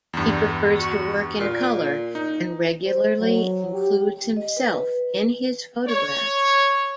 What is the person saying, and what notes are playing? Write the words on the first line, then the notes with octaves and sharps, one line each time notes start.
He prefers to work in color, and regularly includes himself in his photographs.
E2 G2
F#4
A#2
D#4
C5
F#3
G4
D#5
B4
C#5